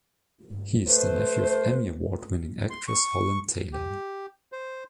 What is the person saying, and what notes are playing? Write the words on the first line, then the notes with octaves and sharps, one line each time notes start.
He is the nephew of Emmy Award-winning actress Holland Taylor.
A3 B4 C5
C6
C#6
G4
C5